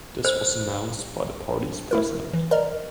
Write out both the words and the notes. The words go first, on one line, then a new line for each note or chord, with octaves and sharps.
This was announced by the parties president.
C5
A3 E4 A#4
E3
A#4 D5 D#5 A#5